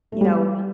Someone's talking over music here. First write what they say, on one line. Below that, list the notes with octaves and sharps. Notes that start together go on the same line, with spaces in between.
you know,
A3
G3